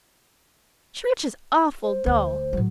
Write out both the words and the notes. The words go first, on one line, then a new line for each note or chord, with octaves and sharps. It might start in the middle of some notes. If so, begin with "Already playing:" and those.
Church is awful dull.
C5
D2
A2 F#3